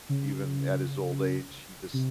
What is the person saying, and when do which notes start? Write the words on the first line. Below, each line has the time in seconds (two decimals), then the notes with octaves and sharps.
even at his old age, he just
0.09 C#3
1.93 C3